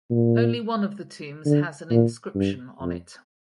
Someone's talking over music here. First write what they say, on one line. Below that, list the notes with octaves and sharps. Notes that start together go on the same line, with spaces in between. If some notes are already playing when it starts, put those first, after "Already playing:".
Only one of the tombs has an inscription on it.
A#2
D3
A#2
G2
F2